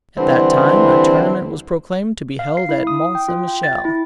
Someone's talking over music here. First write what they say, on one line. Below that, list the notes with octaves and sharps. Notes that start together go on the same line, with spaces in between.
At that time a tournament was proclaimed to be held at Mont St. Michel.
D3 E3 G3 C4 E4 C5
F5
C7
E4
D#6
G5
F4
G5
A6
E4